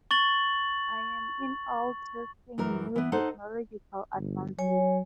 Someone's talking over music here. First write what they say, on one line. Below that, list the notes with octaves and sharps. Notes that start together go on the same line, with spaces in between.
I am in awe testing new technological advances.
C#6 A6 F#7
F#2 E3 A#4
E3 B3
D#4 A4 C5 F#5
G1
F#3 C#5 G#5